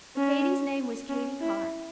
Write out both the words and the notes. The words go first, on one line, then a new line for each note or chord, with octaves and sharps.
Katy's name was Katy Carr.
C#4
C#4
E4